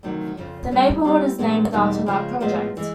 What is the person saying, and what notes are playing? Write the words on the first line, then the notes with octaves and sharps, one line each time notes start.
The neighborhood is named after that project.
D2 C3 D#3 F#3
F2 C#3 F3
D2 D3 G3 A#3 C#4
G3 C4 E4 G4
A#2 F3 G#3 B3 D4
E2 B2 G3 A#3 D#4
C#3 F3 G#3
A2 F3 G#3 B3
E3 G#3